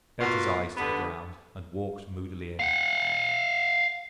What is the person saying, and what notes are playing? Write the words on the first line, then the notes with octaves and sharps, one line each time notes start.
He bent his eyes to the ground, and walked moodily in.
B2 A#3 F4 F#4
G2 D3 B3
F5 F#5